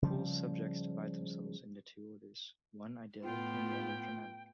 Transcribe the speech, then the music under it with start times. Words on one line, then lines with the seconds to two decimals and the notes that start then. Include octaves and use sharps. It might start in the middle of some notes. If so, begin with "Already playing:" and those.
Poole's subjects divide themselves into two orders, one idyllic, the other dramatic.
0.02 C#3 F3 G3
3.24 A2 B3 F4 G5